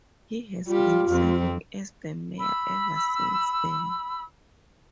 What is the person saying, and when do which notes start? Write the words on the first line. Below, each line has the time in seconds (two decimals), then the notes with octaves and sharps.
He has been serving as the mayor ever since then.
0.67 G3 F4 G4
1.09 F2 C4
2.38 B5 E6